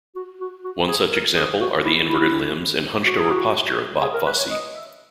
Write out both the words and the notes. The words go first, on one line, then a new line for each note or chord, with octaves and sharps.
One such example are the inverted limbs and hunched-over posture of Bob Fosse.
F#4
F#4
F#4
G#4
A#4
G#4
F#4
E4
E4
F#4
G#4
F#4
G#4
A#4
B4
C#5
D#5
E5